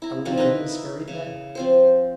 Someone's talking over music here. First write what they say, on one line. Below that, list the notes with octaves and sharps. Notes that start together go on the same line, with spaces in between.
I will begin this very day.
E4 A#5
D#3 F3 C4 D4
D#4 E4 A#4 B4
E4
C#3
F3 C4 C5